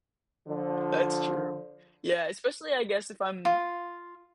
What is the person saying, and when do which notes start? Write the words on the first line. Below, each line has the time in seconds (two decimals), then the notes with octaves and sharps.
That's true. Yeah, especially I guess if I'm
0.47 D3 F3
3.45 F4